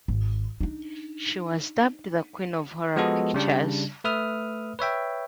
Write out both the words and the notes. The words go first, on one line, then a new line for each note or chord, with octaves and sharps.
She was dubbed the "Queen of Horror Pictures".
G#1
D4 D#4
F3 G#3 B3 F#4 A4 D#5
C#3 G3 D4
A3 B4 E5 D#6 F6
B4 C#5 E5 G5